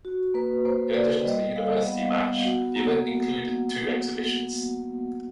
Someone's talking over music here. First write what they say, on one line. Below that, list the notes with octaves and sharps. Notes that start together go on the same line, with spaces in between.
In addition to the university match the event included two exhibitions.
F#4
A#3 B4
A#3 C5
A#3 D5
G3 D#5
G3 F5
B3 F#5
B3
F#4
A#3